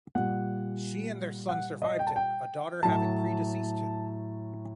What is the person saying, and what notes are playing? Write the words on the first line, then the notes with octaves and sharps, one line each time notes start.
She and their son survived him, a daughter having predeceased him.
A#2 G3 F#5
F#5
D#5
G5
A5
G5
A2 F#3 A5